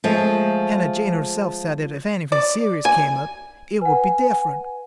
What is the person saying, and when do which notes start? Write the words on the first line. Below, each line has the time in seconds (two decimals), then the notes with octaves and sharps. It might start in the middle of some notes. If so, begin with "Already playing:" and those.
Hannah Jane herself said that if anythin' 'serious' came up it would be diff'rent.
0.04 F3 G#3 A3
2.32 D5
2.85 G#5
3.81 B4 F#5 G#5